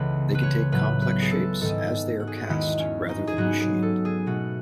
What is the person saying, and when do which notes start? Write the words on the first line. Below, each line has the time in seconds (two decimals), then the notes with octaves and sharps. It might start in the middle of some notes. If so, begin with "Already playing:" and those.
They can take complex shapes, as they are cast, rather than machined.
Already playing: C#2 C#3 E3 B3 A4 B4
0.35 B4
0.43 C#5
0.72 A2 F#3 B3 B4
1.02 B4
1.22 G#4
1.31 A4
1.61 G#2 D#3 G#3 B3 A4
2.20 F#4
2.27 G#4
2.36 F#4
2.49 E2 D#3 G#3 B3 E4
2.79 C#4
3.09 D#4
3.27 G#4
3.37 G#2 F#3 B3 F#4
3.61 G#4
3.82 A4
4.05 G#4
4.26 B2 A3 F#4